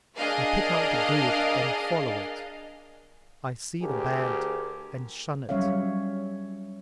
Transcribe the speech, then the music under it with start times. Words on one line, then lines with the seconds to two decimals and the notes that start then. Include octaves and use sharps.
I pick out the good and follow it; I see the bad and shun it.
0.18 D4 G#4 A#4 D#5 F5
3.82 D2 G4 G#4 A#4
5.49 F#3 G3 C#4 C#5 E5 F5